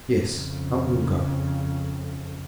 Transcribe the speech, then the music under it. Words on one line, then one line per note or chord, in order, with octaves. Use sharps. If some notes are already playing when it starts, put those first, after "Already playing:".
"Yes, I will go."
F2 C#3